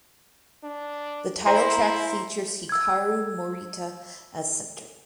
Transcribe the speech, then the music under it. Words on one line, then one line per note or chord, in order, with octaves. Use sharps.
The title track features Hikaru Morita as center.
D4
E4 C5 A#5 C6
E6 G#6